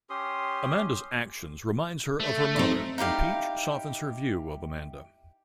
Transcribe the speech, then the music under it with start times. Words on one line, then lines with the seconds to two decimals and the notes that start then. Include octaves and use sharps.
Amanda's actions reminds her of her mother and Peach softens her view of Amanda.
0.10 C#4 G4 C6 D#6
2.20 A3
2.56 C4 D#4
2.98 D#4 E4 G4 F5